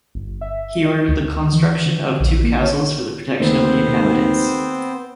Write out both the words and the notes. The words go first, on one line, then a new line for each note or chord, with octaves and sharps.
He ordered the construction of two castles for the protection of the inhabitants.
G1
E5
D#5
D2
D#3
E3
D3
A#1
A#3
C#5
D#2 D#3 A3 B3 C4 C5